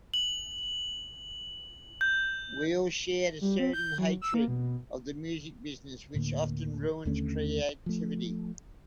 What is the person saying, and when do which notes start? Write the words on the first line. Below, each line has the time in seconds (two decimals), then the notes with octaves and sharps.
We all shared a certain hatred of the music business which often ruins creativity.
0.14 F#7
2.01 G6
3.41 G3
3.59 C4
3.73 G6
3.98 F#3
4.22 E6
4.34 A#3
4.48 B2
6.14 D2 A2 D3 A#3
7.05 D#2 D3 A3 C#4
7.86 F3 A3